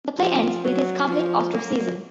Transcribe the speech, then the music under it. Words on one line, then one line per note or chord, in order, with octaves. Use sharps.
The play ends with his complete ostracism.
F3
F#3
F3
F#3 A#3